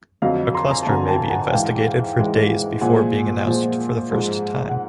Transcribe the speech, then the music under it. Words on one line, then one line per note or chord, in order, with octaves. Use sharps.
A cluster may be investigated for days before being announced for the first time.
F2 D3 F#3 D#5 F5
A#5 C6
G#5 A#5
A5
F2 D3 F#3 G#5 A#5
G5 A5
F#5 G#5
G#2 E3 G#3 F5 G5
G#2 E3 G#3
A#2 F3 G#3 F#5 G#5
A#2 F3 G#3
G#2 F3 G#3
F#5